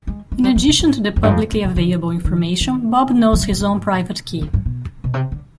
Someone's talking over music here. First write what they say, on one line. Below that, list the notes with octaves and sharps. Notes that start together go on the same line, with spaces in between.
In addition to the publicly available information, Bob knows his own private key.
G#3
G#3
G3
F3
B2
G#2
F2
G2
F2
G2
B2
D3
D#3
D#3
F3
G3
G#2
G2
F2
G2
B2
B2
C3
D3